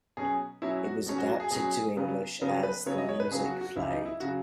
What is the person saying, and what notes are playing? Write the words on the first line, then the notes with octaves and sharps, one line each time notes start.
It was adapted to English as "The Music Played".
B2 F#3 C#4 G#4
B2 F#3 C#4 E4
F#4
B2 F#3 C#4
F#4
F#4
G#4
B2 F#3 C#4 G#4
C#3 F#3 B3
C#3 F#3 B3
B4
C#3 F#3 B3 C#5
D#5
C#5
B4
C#3 F#3 B3 G#4
F#4
F#4
C#2 C#3 F#3 E4
D#4
E4
C#3 F#3 F#4